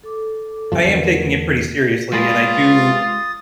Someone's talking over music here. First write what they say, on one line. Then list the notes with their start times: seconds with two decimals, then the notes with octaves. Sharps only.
I am taking it pretty seriously, and I do
0.03 A4 D6
0.72 C#2 G2 F3
0.85 E2 D3 A3 A#4 B4
2.13 G#3 F4 G#4 B4 D#6 A6